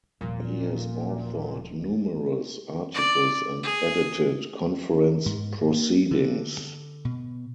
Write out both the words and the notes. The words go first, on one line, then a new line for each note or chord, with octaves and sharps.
He has authored numerous articles and edited conference proceedings.
D#1 A#2 F3
D5
G#4
G#2
A#3
D3
B2